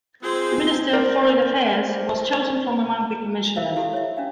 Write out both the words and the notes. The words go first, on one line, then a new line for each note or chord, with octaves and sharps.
The minister of foreign affairs was chosen from among the commissioners.
G#3 C4 F4 G#4 C5
A#4 C5 D5
A#4 C5 E5 F5
E4 F#4 G4 A4 F5
C#5 E5
C#4 D4 F5